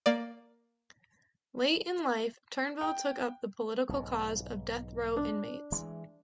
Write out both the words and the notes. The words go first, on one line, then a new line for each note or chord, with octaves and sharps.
Late in life Turnbull took up the political cause of death row inmates.
A#3 D5
G5
B1 G#2
D4
E3 G#3